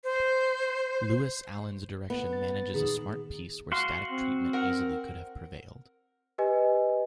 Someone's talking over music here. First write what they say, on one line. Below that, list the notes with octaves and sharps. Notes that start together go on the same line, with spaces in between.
Lewis Allen's direction manages a smart piece where static treatment easily could have prevailed.
C5
B3
A6
A6
A#2 D#3 G#4
F#4 F5 C6
C4
A#4 F#5
G4 B4 D#5 G#5